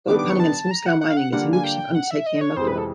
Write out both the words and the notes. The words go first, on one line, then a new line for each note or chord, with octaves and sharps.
Gold panning and small-scale mining is a lucrative undertaking in Magdiwang.
D#3 G3 B3 D4 D6
D6
C#6
A5
A#5
F#5
F#5
F5
F#5
D3 G3 A#3 D4 F4 F#5
G#5
G5
F#5
E5
D#5
C#5
F2 C3 E3 G#3 C5
B4
A4